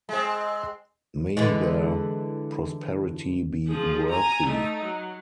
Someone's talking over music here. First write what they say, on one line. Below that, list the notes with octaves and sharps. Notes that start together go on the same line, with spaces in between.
May their prosperity be worthy.
G#3 C4
D3 E3 G#3
F3 G#4
G#5 A#5
A3 D#4
F#3